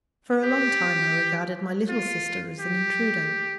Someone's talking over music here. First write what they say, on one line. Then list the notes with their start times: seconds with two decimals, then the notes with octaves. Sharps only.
For a long time I regarded my little sister as an intruder.
0.44 G4
1.89 F4
2.60 G4